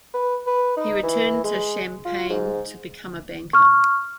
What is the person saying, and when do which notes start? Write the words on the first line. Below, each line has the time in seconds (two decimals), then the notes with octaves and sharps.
He returned to Champaign to become a banker.
0.14 B4
0.47 B4
0.77 D#4
1.03 E3
1.44 G#3
2.05 F4
2.30 G#2
3.53 C#6 F6